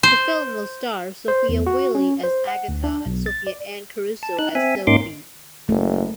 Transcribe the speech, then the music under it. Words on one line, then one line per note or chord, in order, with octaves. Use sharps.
The film will star Sofia Wylie as Agatha and Sophia Anne Caruso as Sophie.
C5
C5
E2
F#4
C#4
C5
F#5
D2
D4
B1
A6
D5
A5
D#4 F#6
C4 E5 G#5
G#2 A#3 C#4 D#4 C6 D6
F#1 A3